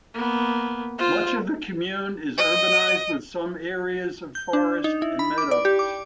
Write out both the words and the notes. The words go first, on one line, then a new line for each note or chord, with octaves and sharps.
Much of the commune is urbanised with some areas of forest and meadows.
A#3 B3
F4 C5
D#5
G6
D4
D#4
E4
B5
D6
D5
G4
D6